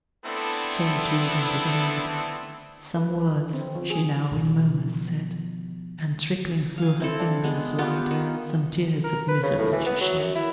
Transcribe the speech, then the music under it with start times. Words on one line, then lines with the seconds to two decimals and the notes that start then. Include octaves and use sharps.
To solitude and to the night, Some words she now, in murmurs, said; And trickling through her fingers white, Some tears of misery she shed.
0.25 A3 B3 C4 D4 E4 A4
2.97 B4
3.20 B4
3.35 D3
3.53 C4
3.75 F3
3.90 G#4
4.31 B2 F3
6.78 F5 G#5
7.00 C4 E4 A4
7.19 D4
7.44 G#3 B3
7.78 B3 F4 G4
8.11 D#3
9.04 A#4
9.28 B4
9.43 C#3
9.59 A2
9.72 E3
9.86 B3
10.01 F#3
10.19 F#2
10.35 E4